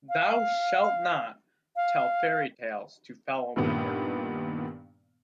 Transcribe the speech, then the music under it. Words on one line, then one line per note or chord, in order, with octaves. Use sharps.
Thou shalt not tell fairy tales to fellow members.
F5
F5
G2 A#2 D#3 B3